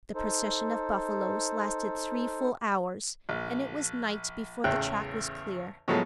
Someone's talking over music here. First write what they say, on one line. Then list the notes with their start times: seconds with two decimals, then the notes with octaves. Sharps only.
The procession of buffaloes lasted three full hours, and it was night before the track was clear.
0.15 D#4 A4 C5
3.29 A#1
4.64 A1 E2 C#3 G5 F#6
5.88 A2 F3 F#3 G#3 A3 B3